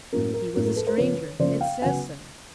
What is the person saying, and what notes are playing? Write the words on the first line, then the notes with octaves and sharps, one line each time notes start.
'He was a stranger; it says so.
A2 F#3 A#3 C#4 A#4
A#4
A2 F#3 A#3 C#4 A#4
A#4
A4 B4
A#4 C5
C#3 F3 A#3 C#4 B4 C#5
C#3 F3 A#3 C#4 C5 D5
F5 G5
C#3 F#3 B3 F#5 G#5